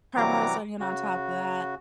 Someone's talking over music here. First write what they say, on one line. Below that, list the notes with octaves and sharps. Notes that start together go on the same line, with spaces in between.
caramelized onion on top of that
C3 E3 F#3 G3 A#5 D6
C#3 F#4